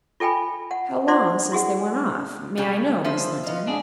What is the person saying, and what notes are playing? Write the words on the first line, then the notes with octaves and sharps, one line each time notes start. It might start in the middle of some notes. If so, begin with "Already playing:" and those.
"How long since they went off--may I know, Miss Linton?"
F4 A4 G5 G#5 B5
F#5
F4 C5 D5 F#5 C6
E4 F#4 G#4 F#5
C#3 F#3 C#4 G4
F3 C5 E5
B3 D#5 F5
G#2 D4 G#4